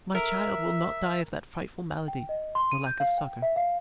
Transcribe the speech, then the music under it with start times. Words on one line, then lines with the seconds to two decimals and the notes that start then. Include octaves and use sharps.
My child will not die of that frightful malady, for lack of succor.
0.15 A#4 E5
2.08 G5
2.29 D#5
2.55 C6
2.72 D#7
2.86 G6
3.00 F5
3.18 G5
3.42 E5
3.56 F5